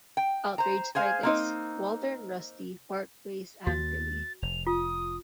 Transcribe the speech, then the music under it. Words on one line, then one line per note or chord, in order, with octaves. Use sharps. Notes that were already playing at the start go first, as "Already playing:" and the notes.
Outraged by this, Walter and Rusty part ways angrily.
G5
C5 A#5
G#4 C5 F5 G#5
A#3 C4 D#4
D#2 A#3 F#4 A6
F1 F7
F4 D#6